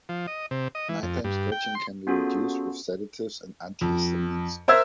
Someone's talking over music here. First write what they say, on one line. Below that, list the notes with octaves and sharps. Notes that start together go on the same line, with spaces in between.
Nighttime scratching can be reduced with sedatives and antihistamines.
F3
D#5
C3
D#5
E3
F2
G2
G5
C6
B3 C#4 F4 F#4 G#4 A4
F2
A#4 C5 E5 E6 G#6